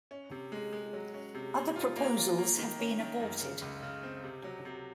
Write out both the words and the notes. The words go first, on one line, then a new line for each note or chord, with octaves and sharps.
Other proposals have been aborted.
C#4
C3
G#3
G#3
F#3
C#4
C3
C3
F4
A#3
F4
A#3
D#3
C#4
D#3
F#2
C#3
C#2
C#3
C4
C3
F#3
C3